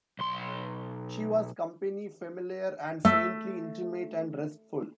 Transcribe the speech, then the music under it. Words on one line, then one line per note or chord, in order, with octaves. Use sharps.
She was company, familiar and faintly intimate and restful.
B1 C6
A3 E5